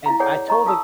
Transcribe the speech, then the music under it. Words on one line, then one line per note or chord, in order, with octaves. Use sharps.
and I told the
E4 F5 A#5
G#4 A4 C#5 D5 F#5 G#5
D#5 A#5 C#6
A4 F5 A5 D#6 E6